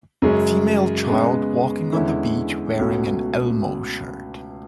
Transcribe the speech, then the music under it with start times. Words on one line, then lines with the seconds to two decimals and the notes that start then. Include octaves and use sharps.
Female child walking on the beach wearing an elmo shirt.
0.22 F#2 C#3 G#3 C#4 G#4
1.07 C#3 G#3 B3
1.92 E2 D3 G#3 C#4 E4
2.79 C#2 B2 A3 C#4 F#4